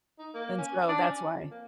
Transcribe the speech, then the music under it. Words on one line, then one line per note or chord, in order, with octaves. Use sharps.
and so that's why.
D#4
A#3
C#4
D4
C#4
F2
A#3